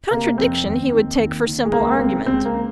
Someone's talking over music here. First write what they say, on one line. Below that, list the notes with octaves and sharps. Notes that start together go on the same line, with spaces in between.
Contradiction he would take for simple argument.
C3 A#3
F2 C4
D#2
D#3
D#2
D#3
G#3
C#2 A#3
A#3
C#3 C4
C#2 C4
A#3
C#3